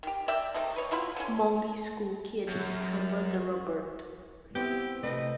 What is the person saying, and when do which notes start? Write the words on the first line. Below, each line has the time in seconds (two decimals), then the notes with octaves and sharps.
Among these schoolkids was Hammer DeRoburt.
0.03 D#3 G4
0.28 A#4 D5 E5 G5
0.54 C3 A3 D#4
0.76 B4 C#5
0.91 B2 E4 F4 B5
1.16 D3 C#4
2.49 F#2
4.55 B3 C4 E4 G4 G6
5.03 C3 A3 B4 D#5